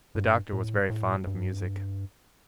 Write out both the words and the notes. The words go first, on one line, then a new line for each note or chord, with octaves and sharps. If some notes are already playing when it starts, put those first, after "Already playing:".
The Doctor was very fond of music.
G2
A2
A2
G2